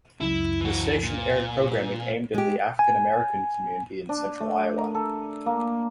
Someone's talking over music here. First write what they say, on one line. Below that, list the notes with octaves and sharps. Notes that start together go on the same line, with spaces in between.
The station aired programming aimed at the African American community in central Iowa.
C#2 F#2 E4
E3 F#4
A#2
G#3 G4
G#5
D4
A3
A#4
A4
A#3